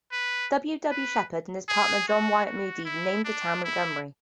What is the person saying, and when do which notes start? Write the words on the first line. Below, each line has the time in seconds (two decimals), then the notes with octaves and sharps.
W. W. Shepperd and his partner John Wyatt Moody named the town Montgomery.
0.12 B4
0.91 B4
1.69 G#4
2.08 F#4
2.46 F#4
2.85 E4
3.25 D4
3.64 E4